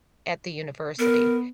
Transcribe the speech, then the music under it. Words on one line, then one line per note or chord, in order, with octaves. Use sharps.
at the university,
B3 A#4